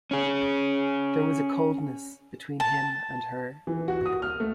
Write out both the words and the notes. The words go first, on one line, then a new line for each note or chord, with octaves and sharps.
There was a coldness between him and her.
C#4 G#4
A5
E3
F#4
D#6
F6
A3